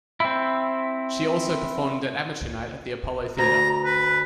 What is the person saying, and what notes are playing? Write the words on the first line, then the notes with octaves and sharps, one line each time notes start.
She also performed at amateur night at the Apollo Theater.
C4 E4
D2 A#5
B4